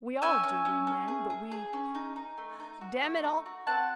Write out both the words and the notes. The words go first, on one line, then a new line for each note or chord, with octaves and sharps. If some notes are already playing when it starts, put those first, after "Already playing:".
We all do, we men, but we--damn it all!
C#4 E5 G#5
C#4
C#4
C#4
G#4
G#4
G#4
C#4
D#4
D#4
A3
D#4
F#4
A3
D#4
F#4
C4 F#5 A5